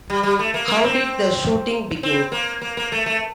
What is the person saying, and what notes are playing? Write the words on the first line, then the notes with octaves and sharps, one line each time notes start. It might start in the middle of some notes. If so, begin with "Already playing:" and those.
How did the shooting begin?
G3
G3
A3
A#3
A#3
C4
C4
A#3
A#3
A#3
A3
A3